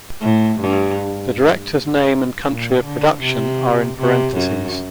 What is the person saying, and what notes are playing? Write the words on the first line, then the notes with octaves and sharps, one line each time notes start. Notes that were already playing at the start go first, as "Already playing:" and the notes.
The director's name and country of production are in parentheses.
A2
G2
A#2
D3
C3
C3
F#2